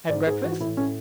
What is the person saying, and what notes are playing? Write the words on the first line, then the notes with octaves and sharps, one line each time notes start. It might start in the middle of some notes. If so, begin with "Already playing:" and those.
"Had breakfast?"
G#2 D5
G#2 G#4
E3 F#4
A2 E4
A2 C#4